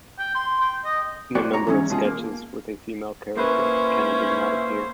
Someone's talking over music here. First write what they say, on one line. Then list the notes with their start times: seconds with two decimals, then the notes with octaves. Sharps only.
In a number of sketches with a female character, Kenney does not appear.
0.19 G5
0.35 C6
0.61 G5
0.85 D#5
1.35 B3 F#4 C5 D5 G5
1.53 C#5 A#5
1.67 E2 G#2 C#4
1.90 B2 F4 G#4
2.05 A#3
3.37 A#3 C#4 E4 B4 C5 F5